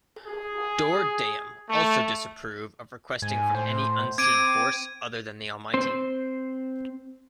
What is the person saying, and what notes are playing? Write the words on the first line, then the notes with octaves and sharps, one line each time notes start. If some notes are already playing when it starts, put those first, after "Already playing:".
Dor Daim also disapprove of requesting from any unseen force other than the Almighty.
G#4
A3
G#2 G#5
A2 C5
C4 D6 G#6 D7 D#7
C4 C5